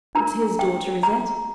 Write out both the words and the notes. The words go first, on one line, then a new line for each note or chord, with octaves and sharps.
It's HIS daughter, is it?'
D4 F4 A#4 A#5
G5
A#5